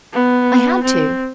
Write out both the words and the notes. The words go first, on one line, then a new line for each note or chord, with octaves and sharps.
I had to.
B3
C4